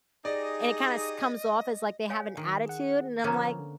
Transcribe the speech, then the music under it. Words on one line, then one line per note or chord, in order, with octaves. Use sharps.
And it kinda s comes off as like they have an attitude, and I'm, like,
D#4 G4 G#4 D5 D#5
C#5 F5 G#5
D#3
G#4 F#5
D3 F3 A#3 B3 C#4 A#4 A#5
D3